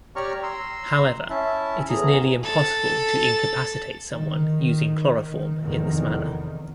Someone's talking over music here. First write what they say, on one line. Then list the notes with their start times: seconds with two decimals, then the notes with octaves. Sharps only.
However, it is nearly impossible to incapacitate someone using chloroform in this manner.
0.16 G4 C#5 D5 A#5 C#6 F6
0.43 A#5 C6 E6
1.30 C#4 E4 E5 A5
1.89 E2 A2 G#4 A#5
2.43 A4 A6
4.11 D#3
5.62 F1 E2 D#3